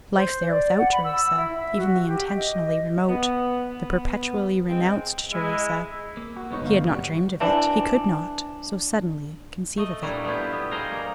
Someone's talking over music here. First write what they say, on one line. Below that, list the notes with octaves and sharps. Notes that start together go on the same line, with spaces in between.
Life there without Theresa, even the intentionally remote, the perpetually renounced Theresa--he had not dreamed of it, he could not, so suddenly, conceive of it.
C5
D5
F#5
B5
E6
E4
E5
F#4
G4
D#5
B3
B3
G#3 C4
G#3 E4
A#3
F#4
B1 G#3 B3 D#4 C#5
G1 G#2 F5
G3 F#4
C3 E3 D4
A3 D#5
A#2 G3 A3 D4 E4 A#5
A3 B3 E4 F4 G4
B2 B3
G3 G#4 C5 F5 A#5
A#3